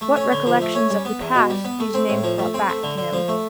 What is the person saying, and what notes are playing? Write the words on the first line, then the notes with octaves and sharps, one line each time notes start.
What recollections of the past these names brought back to him!
A3
C#4
D3
F3
A3
C#4
G3
B3
E2
B2
G3
B3
A3
C4
A2
F3
A3
C4
A3
D3
D3
F3
A3